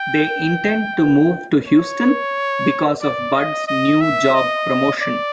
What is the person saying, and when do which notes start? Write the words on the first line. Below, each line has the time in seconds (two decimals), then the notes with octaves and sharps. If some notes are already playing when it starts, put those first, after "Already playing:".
They intend to move to Houston because of Bud's new job promotion.
Already playing: G5
1.68 C#5
3.02 D5
3.34 D#5
3.68 D#5
4.01 E5
4.34 D#5
5.01 D5